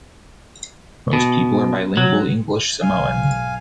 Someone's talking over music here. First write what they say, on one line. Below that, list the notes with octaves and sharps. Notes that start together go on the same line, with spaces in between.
Most people are bilingual English/Samoan.
B2
F#3
B1 G#2 F5 G#5